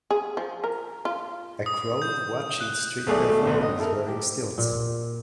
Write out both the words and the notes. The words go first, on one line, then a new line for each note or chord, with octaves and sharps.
A crowd watching street performers wearing stilts.
G#4
F3
A#4
F4
D#6
G6
F#6
B1 A3 G#4 D5
B2 A3
B1 A2
D#5
E4 A4 A#4
G4
A#2